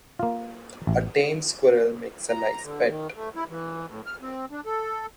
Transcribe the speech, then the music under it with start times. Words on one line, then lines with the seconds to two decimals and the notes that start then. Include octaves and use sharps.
A tame squirrel makes a nice pet.
0.19 A#3 F4
0.87 A1
2.29 A#5
2.63 D3
2.87 D#3
3.15 A3
3.36 E4
3.49 E3
3.87 A2
4.06 F6
4.21 C4
4.51 D4
4.66 A4